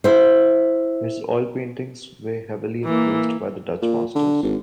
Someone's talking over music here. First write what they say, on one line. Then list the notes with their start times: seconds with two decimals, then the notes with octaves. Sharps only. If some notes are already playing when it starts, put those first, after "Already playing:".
His oil paintings were heavily influenced by the Dutch Masters.
0.04 E4 C5
2.85 E3 A#3
3.82 A#2
4.16 D3
4.43 G#1